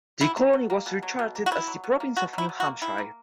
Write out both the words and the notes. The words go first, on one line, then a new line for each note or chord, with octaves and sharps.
The colony was recharted as the Province of New Hampshire.
B2 E4
F#3
B2
A#3
B2
F#3
B2
A#3
F#4
B2 E4
F#3
B2
A#3
B2 F#4
F#3 E4
B2
F#4
A#3
D#3 E4
A#3